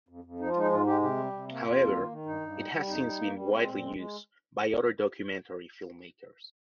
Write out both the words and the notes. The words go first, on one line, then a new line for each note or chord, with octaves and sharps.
However it has since been widely used by other documentary filmmakers.
F2
F2
F3 D#4
F4
G#3 D#4
G#2 F4
G#3 G4
C3 G4
G3
C3
A#3
F2 F4
A#3
D#3
D#3
G2 D#4
G2
G3
G3
F2 D#4
G3
A#3
G3
C#4
G#3 C4
A#2
G#3
G#3